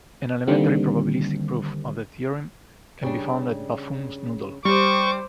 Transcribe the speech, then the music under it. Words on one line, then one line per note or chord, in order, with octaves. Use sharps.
An elementary probabilistic proof of the theorem can be found at Buffon's noodle.
D3 D#3 G3 A#3 C4
C#3 G3 D4
G3 G4 C5 C#6 D6